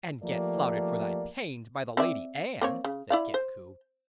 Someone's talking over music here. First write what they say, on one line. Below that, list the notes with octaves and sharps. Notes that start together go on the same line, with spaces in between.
"And get flouted for thy pains by the Lady Anne," said Kit Coo.
F3 A3 A#3 G4 D5
C4 D5 E5
A#3 C4 C#5
C#3
E4 D5 F5
C5